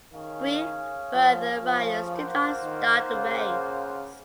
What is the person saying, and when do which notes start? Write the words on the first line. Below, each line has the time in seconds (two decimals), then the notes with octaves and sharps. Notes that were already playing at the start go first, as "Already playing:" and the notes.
Three further riders did not start the race.
0.13 D#3 C#4 G#4 C#5 F5
1.14 F3
1.63 F3
2.13 A#3 F4 C5 F#5
2.63 D#3
3.13 C#3